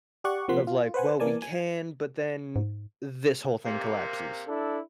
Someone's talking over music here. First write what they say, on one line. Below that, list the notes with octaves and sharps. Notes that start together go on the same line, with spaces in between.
of like, "Well, we can, but then this whole thing collapses."
G4 D5 F#5 C#6
C3 F3 A#3 F#5 C6 B6
F4
B4 C5 F#5 G#5
E3 A#3 A#4 D5 G#5 A5
G#5
G#2
C3 A#3
D4 E4 A4